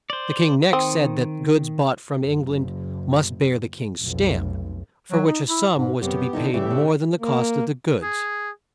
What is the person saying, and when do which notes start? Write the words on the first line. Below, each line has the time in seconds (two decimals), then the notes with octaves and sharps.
The king next said that goods bought from Eng-land must bear the king's stamp, for which a sum was to be paid more than the cost of the goods.
0.10 C5 D5
0.73 D#3 C4 D#6
2.16 F#1
4.01 F1 B1
5.11 F#3
5.27 D#4
5.49 E4
5.75 G#2
6.01 F#2 C3 B3 G4
6.33 D3 D#4 E4
6.54 A2 C#3 E3 G3 G4 E5
6.70 C#3
7.20 A#3
8.03 G#4